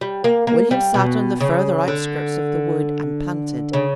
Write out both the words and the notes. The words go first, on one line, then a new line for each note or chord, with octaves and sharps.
William sat on the further outskirts of the wood and panted.
G3
A#3
A#3
G3
B2
C#3
D3
C#3